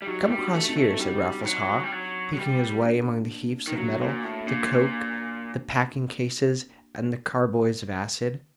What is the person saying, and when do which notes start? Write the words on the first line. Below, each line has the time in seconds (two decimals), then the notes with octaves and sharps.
"Come across here," said Raffles Haw, picking his way among the heaps of metal, the coke, the packing-cases, and the carboys of acid.
0.02 G3
0.07 F#3 D#4 G4
0.23 A3
0.30 G3
0.38 D4 F#4
0.54 A3
0.69 C4 D#4
0.77 A3
0.95 F#4
0.99 G3 C4 D#4
1.41 D#3
1.45 F#3
1.84 G3
1.92 F#3
2.33 F#3
2.38 G3
2.85 A#3 D4
3.68 D#3
3.77 F#3 A#3 D4
4.00 A#2 D4 F#4
4.24 A2
4.46 A#2 A#3 D4